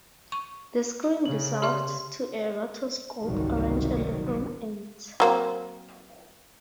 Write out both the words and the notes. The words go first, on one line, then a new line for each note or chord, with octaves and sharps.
The screen dissolves to a rotoscope orange and the film ends.
C#6
C#3 F#7
G4 D5 E5 C6
G#1 C#2 C3 D#3 F#3 G3
F#3 A#3 C4